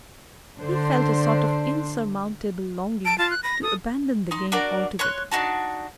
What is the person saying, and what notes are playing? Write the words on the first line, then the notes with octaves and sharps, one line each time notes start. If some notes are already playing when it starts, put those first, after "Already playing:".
He felt a sort of insurmountable longing to abandon the game altogether.
D3 D4 C5
A5 D7
F4 A5
F#6
B5 A#6
A4 D#6
D#4 C6
D4 F#4 A#4 D5
C#5 C6 F#6
D4 D#4 F#4 A5